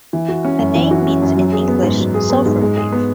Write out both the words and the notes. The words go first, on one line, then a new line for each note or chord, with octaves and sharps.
The name means in English: "sulphur wave".
E3
F#4
C#4
F#2
E3
F#4
C#4
F#2
F#3
G#4
B3
G#2
F#3
G#4
B3
G#2
G#3
G#4
B3